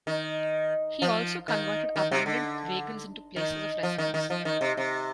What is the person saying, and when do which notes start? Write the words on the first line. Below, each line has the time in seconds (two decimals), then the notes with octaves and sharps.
He also converted abandoned wagons into places of residence.
0.07 D#3
1.02 F3
1.48 D#3
1.96 D#3
2.11 C3
2.26 D3
3.36 D#3
3.83 F3
3.98 D#3
4.14 D#3
4.30 F3
4.45 D#3
4.61 C3
4.77 C3